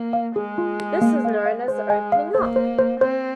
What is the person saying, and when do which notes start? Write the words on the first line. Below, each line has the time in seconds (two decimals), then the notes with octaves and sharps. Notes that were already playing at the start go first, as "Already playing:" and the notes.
This is known as "opening up".
Already playing: A#3
0.13 F5
0.36 G#3 G#4
0.58 F4
0.80 G#4
1.02 A#3
1.25 F5
1.46 F5
1.68 G#3 C5
1.90 G#5
2.12 F5
2.35 A#3 C5
2.56 C5
2.78 C5
3.01 C4 C5